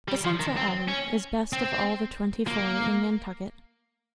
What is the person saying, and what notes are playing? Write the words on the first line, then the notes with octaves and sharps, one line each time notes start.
The sunset hour is best of all the twenty-four in Nantucket.
G3
F3
D#3
C4
C#4
C4
A#3